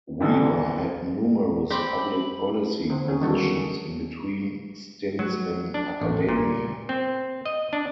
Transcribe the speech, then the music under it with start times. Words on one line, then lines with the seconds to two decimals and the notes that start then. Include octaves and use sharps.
Weaver had numerous public policy positions, in between stints in academia.
0.20 A#1 D3 E3
1.70 C4 G4 B5
2.90 D3 C4
3.08 C#4 G#4
3.21 D#3 G3 D4 F#4 A4
3.34 F#3
3.55 G#4
5.19 F#3
5.74 D4
6.02 A1
6.29 A#2
6.89 C4
7.46 D#5
7.73 D4